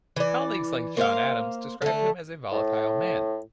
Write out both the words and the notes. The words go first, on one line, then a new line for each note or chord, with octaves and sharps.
Colleagues like John Adams described him as a volatile man.
E3 D5
A#3 C5 E5 F5
D3 A3
A2